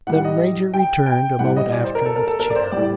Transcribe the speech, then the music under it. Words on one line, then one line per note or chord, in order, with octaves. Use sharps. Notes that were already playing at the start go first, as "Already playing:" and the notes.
The Major returned a moment after with a chair.
A2 G3 F#5
F#5
D#5
G5
G5
A2 G3 F#5
D#5
D5
C5
A#4
A4
A#4
A4
A#4
D5
C5
A2 G3 D5